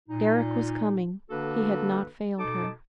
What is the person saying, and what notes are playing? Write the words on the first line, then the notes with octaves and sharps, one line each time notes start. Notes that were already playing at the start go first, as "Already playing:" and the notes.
Deryck was coming. He had not failed her.
A#2 D#4
D3 A#3 D4 F#4 A4 B4
B2 D#4 A4 A5 D6